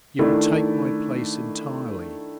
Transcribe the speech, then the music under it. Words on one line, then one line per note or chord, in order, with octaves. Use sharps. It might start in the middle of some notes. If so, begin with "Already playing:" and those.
You will take my place entirely.
D#3 A3 D4 E4